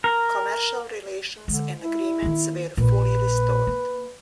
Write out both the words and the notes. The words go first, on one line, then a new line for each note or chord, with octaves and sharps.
Commercial relations and agreements were fully restored.
A#4
D3 G#3
E4
D#3 A#3
A#1 A#2 B4
A#3